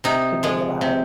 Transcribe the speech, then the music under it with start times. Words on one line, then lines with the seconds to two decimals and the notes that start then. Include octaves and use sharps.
to think about it.
0.04 C3 D#4
0.43 F3 G#3
0.81 C3